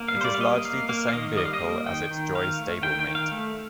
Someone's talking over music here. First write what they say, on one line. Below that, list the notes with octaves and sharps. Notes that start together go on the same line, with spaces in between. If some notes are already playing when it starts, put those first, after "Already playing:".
It is largely the same vehicle as its Joy stablemate.
Already playing: A#3
F5
G3 C5
D5
F5
A#3 D#5
A#3 F5
A#3 F5
F5
D#3 D#5
G3 D#5
F5
D#5
A#3
D#3 G5
D#3
D#3 F5
A3
D#3 G5
G5
D#3
F5
A3